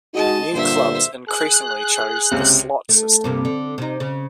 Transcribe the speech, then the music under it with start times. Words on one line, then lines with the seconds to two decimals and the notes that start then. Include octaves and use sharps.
New clubs increasingly chose the slot system.
0.14 G#3 D#4 F#4 D#5 A5
0.53 G2 A#2 D3 C5 E5
1.28 G#4 F#6
2.31 C#2 C3
2.89 A3
3.24 G2 C3 A#3
3.45 D3
3.78 C3 D#4
4.00 C#3